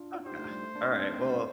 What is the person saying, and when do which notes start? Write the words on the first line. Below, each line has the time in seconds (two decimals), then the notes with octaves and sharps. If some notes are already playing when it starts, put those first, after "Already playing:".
Okay. Alright, well
Already playing: D4 F4
0.25 D#4 G4 C5
0.38 A3
0.51 G3
0.63 A3
0.75 A#3 D4
0.88 C4 D#4
1.00 A#3 D4 C5
1.13 A3 C4
1.25 G3 A#3